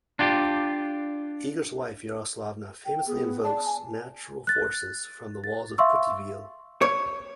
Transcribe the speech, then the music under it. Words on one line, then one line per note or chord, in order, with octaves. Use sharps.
Igor's wife Yaroslavna famously invokes natural forces from the walls of Putyvl.
D4 F4 G4
G5
B3 G#4
D5 A5
G#5
F#6 A6
A6
E5 F5 C6 C#6 E6
C#5